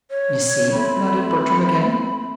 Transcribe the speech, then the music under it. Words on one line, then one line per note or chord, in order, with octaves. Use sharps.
"You see," nodded Bertram again.
C#5
A3 C4 B5